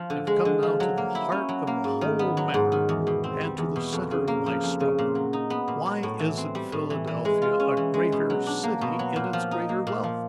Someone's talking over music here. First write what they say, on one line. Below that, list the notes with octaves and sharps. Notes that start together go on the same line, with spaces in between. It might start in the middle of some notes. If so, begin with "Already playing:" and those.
I have come now to the heart of the whole matter and to the center of my struggle: Why isn't Philadelphia a greater city in its greater wealth?
Already playing: F3
D3
G#3
D3
F3
F#3
A#3
E4
C#4
F#3
A#3
G#2
D#3
B3
F#3
G#2
D#3
E2
B2
C4
G3
E2
B2
F2
C#3
A#3
F3
F2
C#3
A#2
F#3
D#4
B3
A#2
F#3
A2
E3
C4
G3
A2
E3
E3
G#3
F4
C#4
E3
G#3
B2
F#3
D4
A#3
B2
F#3
A#2
F3
D#4
A#3
A#2
F3